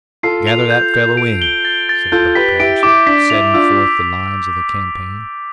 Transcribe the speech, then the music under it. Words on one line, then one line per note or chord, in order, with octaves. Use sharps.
"Gather that fellow in," said Buck Patterson, setting forth the lines of the campaign.
F4 A4 C7
F7
G6
G6
D7
G7
A6
A6
F4 A4 G6
G4 B4 B6
E4 G4 D7
E4 D6
D4 B6
E4 F7
D4 F4 E6